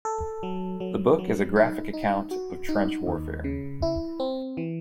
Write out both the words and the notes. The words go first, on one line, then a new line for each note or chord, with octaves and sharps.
The book is a graphic account of trench warfare.
A4
F#3
F#3
F#3
D#4
D#4
F#4
D#4
D#2
C#3
E4
C4
E3